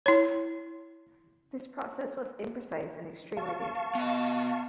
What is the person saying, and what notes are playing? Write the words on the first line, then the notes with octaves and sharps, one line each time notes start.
This process was imprecise and extremely dangerous.
E4 C#5
F5 A5 C#6
B3 D#5